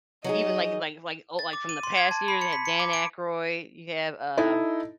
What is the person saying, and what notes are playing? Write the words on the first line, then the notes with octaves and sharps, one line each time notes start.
Even, like like like oh, like, from the past years, they had Dan Aykroyd, you have, uh
F#3 D#4 G#4 D#5
A6
D6
D#7
C6
G#6
A5
B5
C#7
B6
C#7
D6
D7
D#4 E4 A4 D#5